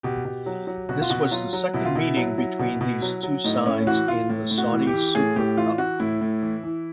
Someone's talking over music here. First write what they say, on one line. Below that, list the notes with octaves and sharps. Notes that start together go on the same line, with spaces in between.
This was the second meeting between these two sides in the Saudi Super Cup.
B2 G4
B2
F#3
F#3
B2 F#4
F4
B2 F#4
F#3 F4
F#3
B2 E4
F4
B2 E4
F#3
F#3
B2
B2
F#3
F#3
A2 D#4
A2 C#4
E3 F#4
E3 F4
A2
A2
F#4
E3
G4
E3
A2 G#4
A2 G4
E3 F4
E3 F#4
A2 E4
A2
E3
E3